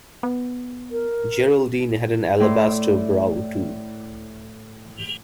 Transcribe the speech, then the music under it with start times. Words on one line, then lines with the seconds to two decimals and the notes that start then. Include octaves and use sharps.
Geraldine had an alabaster brow too.
0.23 B3
0.91 A#4
2.40 A2 E4 D5 C6